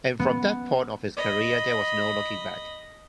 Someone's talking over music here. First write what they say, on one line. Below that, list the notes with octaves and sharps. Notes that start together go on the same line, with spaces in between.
And from that point of his career there was no looking back.
B3
D#5 B5